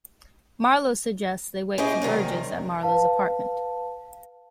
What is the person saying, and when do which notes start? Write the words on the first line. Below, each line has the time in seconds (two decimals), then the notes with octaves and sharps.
Marlow suggests they wait for Burgess at Marlow's apartment.
1.78 C#4 E4 G4 G#4 D#5
2.02 F#2 C3 D#3 G3
2.83 B4 F5 A5